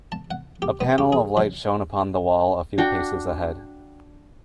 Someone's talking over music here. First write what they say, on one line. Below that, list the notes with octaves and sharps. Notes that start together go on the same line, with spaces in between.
A panel of light shone upon the wall a few paces ahead.
A5
F#5
G4
B3
G4
G#4
F#3
D4 F#4 G5